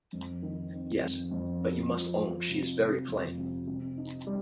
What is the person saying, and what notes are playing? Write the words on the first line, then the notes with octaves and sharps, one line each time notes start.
Yes; but you must own she is very plain.
F2
D#3
C4
F2
F2
C4
F3
F3
C3
C3
F2
C3
C3
D#4
G3